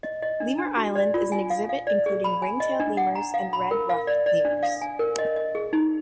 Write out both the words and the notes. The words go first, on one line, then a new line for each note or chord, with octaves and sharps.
"Lemur Island" is an exhibit including ring-tailed lemurs and red-ruffed lemurs.
D#5
D#5
D4
D4
F#4
D5
F4
G#5
F5
F5
D5
G#4
B5
G#5
D#5
D4
F#5
A#5
F5
B5
A#4
F5
D5
D5
D4
F5
G#5
A#4
D#5
D#5
G#4
D#4